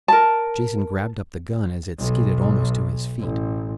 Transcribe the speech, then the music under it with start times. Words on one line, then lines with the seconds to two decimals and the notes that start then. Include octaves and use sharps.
Jason grabbed up the gun as it skidded almost to his feet.
0.08 A#4 A5
1.99 B1
3.20 A1